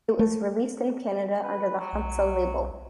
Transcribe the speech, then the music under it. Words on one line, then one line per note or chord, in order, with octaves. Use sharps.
It was released in Canada under the Hansa label.
A3
B4
F#3
B1